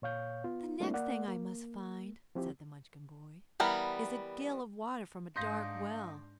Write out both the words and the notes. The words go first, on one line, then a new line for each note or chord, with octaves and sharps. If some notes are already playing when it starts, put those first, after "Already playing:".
"The next thing I must find," said the Munchkin boy, "is a gill of water from a dark well."
A#2 C#5 F5 G6
B3 F4
G3 A3 A#3 C4 D4 E4
A#3 D5 F#5
A#3
F3 C4 E4 G4
E3 G3 B3 A#4
G#2 D4 D#4 F5 C6 G6 A#6